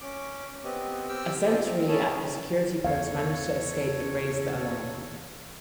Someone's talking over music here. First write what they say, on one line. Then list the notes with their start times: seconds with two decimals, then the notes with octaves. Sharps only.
A sentry at a security post managed to escape and raise the alarm.
0.01 C#4 D6
0.64 B3 C4 G4 D#5
1.09 C4 G4 G5 E6 F6
1.46 F4 G#4 A4 C5 D5 D#5
1.64 C4
1.88 C#4 E4 G#4 A4 C#5 A5
2.84 E2 A4 C#5 F5